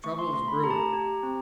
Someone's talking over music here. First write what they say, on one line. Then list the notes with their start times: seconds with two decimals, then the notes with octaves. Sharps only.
Trouble is brewing.
0.04 A3 C#6
0.19 C6
0.34 A3 C6
0.48 B5
0.63 G4 A#5
0.70 A5
0.79 A#5
0.93 G4
1.23 C4